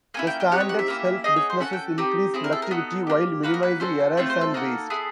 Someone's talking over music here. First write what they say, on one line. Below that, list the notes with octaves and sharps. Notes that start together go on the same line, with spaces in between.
The standards help businesses increase productivity while minimizing errors and waste.
A#3 C#4 E4 G#5
G5
G5
C4 D#4 G4 F#5
C#5
F#5
E5
A#3 C#4 E4 G4
B3 D#4 G#4 D#5
C#5
C5
C#4 F#4 A4 F#5
G5
C4 D#4 G4
C4 E4 G#4
A#4
A4
A#4
B3 D#4 F#4 A4
A#3 D4 G4
A#3 D#4 F#4 B4
A#4
B4
C#4 F#4 A4 C5
A3 C4 F4 C#5
C5
A4
A#3 D#4 F#4
B3 E4 G#4